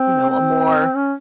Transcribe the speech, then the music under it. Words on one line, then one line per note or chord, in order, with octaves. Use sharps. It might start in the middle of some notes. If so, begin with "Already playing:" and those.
you know, a more
Already playing: C4
C4
C#4